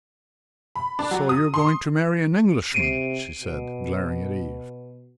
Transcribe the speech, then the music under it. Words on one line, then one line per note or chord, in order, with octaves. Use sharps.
"So you're going to marry an Englishman," she said, glaring at Eve.
B5
D4
F#3
D#6
C6
C3 C7 D7 D#7
B2